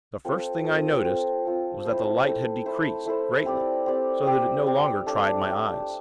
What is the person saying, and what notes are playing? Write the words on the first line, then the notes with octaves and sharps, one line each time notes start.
The first thing I noticed was that the light had decreased, greatly; so that it no longer tried my eyes.
C4 F4 A4
C4 F4 A4
C4 F4 A4
C4 F4 A4
A3 E4 A4 C5
A3 E4 A4 C5
A3 E4 A4 C5
A3 E4 A4 C5
C4 G4 D5
C4 G4 D5
C4 G4 D5
C4 G4 D5
A3 D4 G4
A3 D4 G4